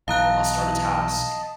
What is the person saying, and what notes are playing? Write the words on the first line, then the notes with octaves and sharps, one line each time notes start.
I'll start a task,
B1 E3 D#5 F5 A5 A#5 F#6